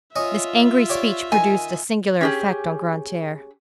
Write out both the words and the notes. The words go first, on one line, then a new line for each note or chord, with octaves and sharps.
This angry speech produced a singular effect on Grantaire.
C#4 F4 D#5 E5 C#6
G4 C#5 D5
D#3 G#5
C#4 G4 G#4